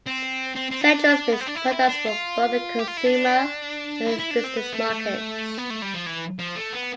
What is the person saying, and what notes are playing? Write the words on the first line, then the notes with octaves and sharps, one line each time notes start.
Xandros makes products for both the consumer and business markets.
C4
C4
C4
D4
B3
C4
D4
E4
D4
E4
D4
F4
G4
F4
E4
D4
E4
E4
D4
C4
B3
A3
A3
B3
A3
G3
F3
E3
F3
A3
B3